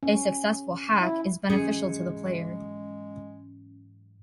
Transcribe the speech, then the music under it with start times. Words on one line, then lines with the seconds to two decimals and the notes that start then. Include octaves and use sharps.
A successful hack is beneficial to the player.
0.03 C#4
1.00 E4
1.50 G#2 E3 F#3 G#3 C#4 G#4